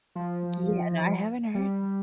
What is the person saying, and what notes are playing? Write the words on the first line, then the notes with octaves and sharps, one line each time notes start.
Yeah. No, I haven't heard
F3
G3